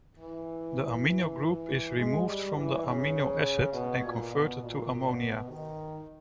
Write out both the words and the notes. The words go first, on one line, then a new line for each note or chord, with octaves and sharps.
The amino group is removed from the amino acid and converted to ammonia.
E3
G#3
G3
E3
C#3
B2
A#2
B2
A#2
B2
D#3